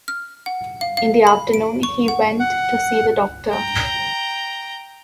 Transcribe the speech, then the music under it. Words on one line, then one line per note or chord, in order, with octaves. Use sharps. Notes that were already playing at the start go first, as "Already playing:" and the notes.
In the afternoon he went to see the doctor.
F6
F#5
F5
F5
B5
D7
C#6
F#5
F#5
G5 A#5